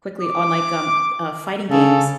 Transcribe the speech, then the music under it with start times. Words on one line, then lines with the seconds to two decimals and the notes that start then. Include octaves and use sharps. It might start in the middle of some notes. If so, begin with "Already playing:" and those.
quickly on like, um, uh, fighting games.
0.21 D6
1.71 C#3 A4